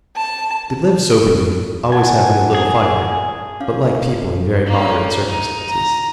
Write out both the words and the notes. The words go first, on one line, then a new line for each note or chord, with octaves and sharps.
They lived soberly, always having a little fire, but like people in very moderate circumstances.
A5
F#5 G#5 A5
G#4 G#5
C#4 F5
A#3 C#4
D#4
A#5